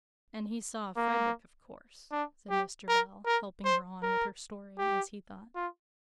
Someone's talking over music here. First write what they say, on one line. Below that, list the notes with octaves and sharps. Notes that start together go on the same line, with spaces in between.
'And he saw Frederick of course,' said Mr. Bell, helping her on with her story, as he thought.
A#3
D4
G4
A#4
A#4
C5
A#4
G4
F4